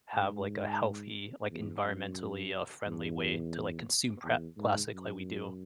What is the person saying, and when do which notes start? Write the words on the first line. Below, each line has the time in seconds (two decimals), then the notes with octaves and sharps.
have, like, a healthy, like, environmentally, uh, friendly way to, like, consume pra plastic like we do.
0.14 G#2
1.50 E2
1.84 F#2
2.86 E2
4.23 E2
4.57 G#2
4.92 F#2